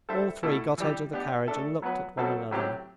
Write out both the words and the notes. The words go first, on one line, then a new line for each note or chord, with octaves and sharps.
All three got out of the carriage and looked at one another.
G3 D4 A4 C5 E5
B2 A3 E4 A4
E3 G3 D4 G4
B3 D4 G4
A3 D4 A4 E5
F#3 B3 F#4 B4
B2 F#3 C4 F#4 A4
A2 F#3 C4 E4 G4